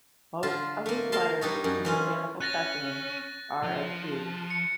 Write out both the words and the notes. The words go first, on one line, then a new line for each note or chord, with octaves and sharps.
Most of his letters and botanical specimens are at Kew.
D3 F4 A5
A3 A#3
A#4 F5 A5 C6
G3 D4 D#4 C#5
F#2
E3 C#4 F4
C#4 F#6 A6 A#6
F3
C#7